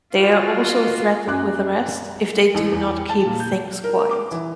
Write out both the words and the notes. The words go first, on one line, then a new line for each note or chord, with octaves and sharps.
They are also threatened with arrest if they do not keep things quiet.
F4 F#4
F#2 G#5 D6 F#6
A1
E2
A5
A#2
G6
A#4
D6
E3